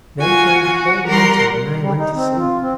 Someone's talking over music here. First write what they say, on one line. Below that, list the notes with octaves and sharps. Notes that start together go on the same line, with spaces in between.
Then came the cold winter, and I went to sleep.
F4 F#4 G#5
F#4
G3 A#4 F#5 C6
G3
D#4
C4
F4
C4